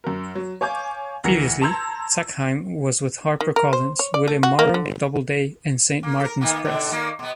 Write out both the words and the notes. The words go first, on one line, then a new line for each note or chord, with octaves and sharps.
Previously, Zackheim was with Harper Collins, William Morrow, Doubleday, and Saint Martin's Press.
F#2 A#4
F#3
C#5 F5 G#5 C#6 D6 G6
D2 E3 A#4 A#6 C#7
A5 A#5 C6 E6 G6 G#6
D#3
A#4
C5
C#5
D5
A3
F#4
A#3
D3
A#3
A4 A#4
D#3 A#3 B3
B2 D3 D4
D#3 A#3
B2 B3